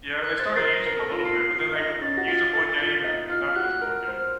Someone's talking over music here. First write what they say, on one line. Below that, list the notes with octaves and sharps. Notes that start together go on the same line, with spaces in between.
Yeah, they started using him a little bit, but then they would use him one game and and not use him one game.
A#4 F#6
C5 A6
A#4 C7
A#6
A#4
A4
F4
F4 C7
F4 C7
D#4 A#6
C#4 A6
F#4
F4
A4
F4
D#4
F4 F6
F#4 F#6
A#4 F6
C5